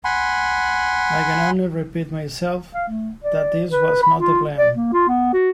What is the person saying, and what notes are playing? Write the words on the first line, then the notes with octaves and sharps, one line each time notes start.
I can only repeat myself that this was not the plan.
F#5 G#5 B5 C6
F5
A3
D5
B4
B5
F4
D5
A#3
F4
B3
F#4